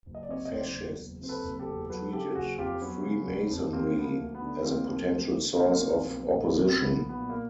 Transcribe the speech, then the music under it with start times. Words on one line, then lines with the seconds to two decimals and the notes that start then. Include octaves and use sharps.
Fascists treated Freemasonry as a potential source of opposition.
0.06 F#1
0.15 D#5
0.23 D5
0.29 C3 C#5 D#5
0.45 D#5
0.52 F#1 C5 D5
0.75 E2
0.98 F#1
1.21 C3 C5
1.28 A4 B4
1.45 F#1
1.59 G4 A4
1.67 E2
1.90 F#3 A4 B4
2.12 C#3 G4 A4
2.35 F#1 F#4 G#4
2.58 F2 F4 G4
2.81 F#3 B3 C#4
3.05 C#3
3.27 F#1
3.51 F2
3.73 D2 A#3 C4
3.97 F3 B3
4.04 A#3
4.19 D2
4.35 B3
4.42 D3
4.65 D2 A#3 C4
4.88 F3
5.11 D2
5.34 D3
5.57 B1 A#3 C4
5.79 F3
6.02 B1
6.26 A#2
6.48 B1
6.54 C#4
6.67 F3 C4
6.79 B3
6.94 B1
7.09 B3
7.17 A#2
7.30 A#3